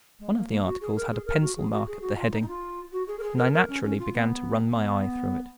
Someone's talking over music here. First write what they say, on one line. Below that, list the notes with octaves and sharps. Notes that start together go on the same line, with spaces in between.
One of the articles had a pencil mark at the heading, and I naturally began to run my eye through it.
G#3
A#3
A#3
F#4
G#4
A#4
G#4
A#4
F#4
G#4
F#4
G#4
F#4
F4
D#4
D#4
F4
F#4
G#4
A#4
G#4
A#4
A#4
C#4
C#4
F4
B3
B3